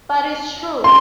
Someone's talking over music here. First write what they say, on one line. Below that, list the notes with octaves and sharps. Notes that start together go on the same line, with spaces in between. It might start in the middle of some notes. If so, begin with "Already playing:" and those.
But it's true.
C6